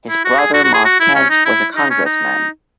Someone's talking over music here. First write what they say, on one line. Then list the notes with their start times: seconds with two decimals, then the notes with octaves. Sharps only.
His brother Moss Kent was a Congressman.
0.09 E4
0.25 F#4
0.39 G#4
0.54 F#4
0.64 F#4
0.74 G#4
0.85 F#4
1.00 E4
1.15 C#4
1.30 D#4
1.45 E4
1.76 D#4
1.90 C#4
2.06 D#4